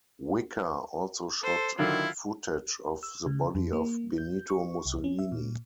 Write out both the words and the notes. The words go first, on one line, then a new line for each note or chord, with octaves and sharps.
Whicker also shot footage of the body of Benito Mussolini.
A4 C5
D3 D#3 F#3 E4 F4
E6
C#3
F2
A#3
G6
C#6
C2
C#4
E5
A#2